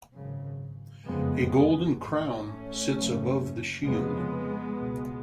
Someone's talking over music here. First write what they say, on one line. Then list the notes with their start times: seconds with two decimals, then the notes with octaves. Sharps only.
A golden crown sits above the shield.
0.14 G#1 F#2 C#3
1.07 F#1 F2 C#3 G#3 B3
2.00 A1 A2
2.46 A3 C#4
2.93 F#1 F#2 C#3
3.85 F1 F2 C#3 G#3 B3
4.79 C#2 B2